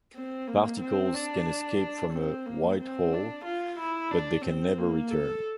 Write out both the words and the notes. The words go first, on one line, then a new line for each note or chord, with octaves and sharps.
Particles can escape from a white hole but they can never return.
C4
A#3
C4
D4
C4
A#3
C4
D4
F4
E4
D4
C4
A#3
A4